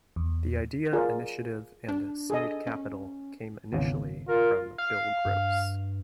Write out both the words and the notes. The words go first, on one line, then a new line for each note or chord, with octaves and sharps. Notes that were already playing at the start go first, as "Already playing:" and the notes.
The idea, initiative, and seed capital came initially from Bill Gross.
E2
F4 G#4 A#4 D5 F5
D4
G#4 A4 D#5
C#4
G#1 E2 C#3
F4 A#4
F5
G2